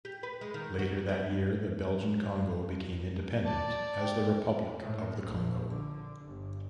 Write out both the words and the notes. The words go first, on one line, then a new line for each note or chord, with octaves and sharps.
Later that year the Belgian Congo became independent as the Republic of the Congo.
G4
B4
G#3
D#3
F#4
B3
D5 A5
G5
A2
A#1
D3
G1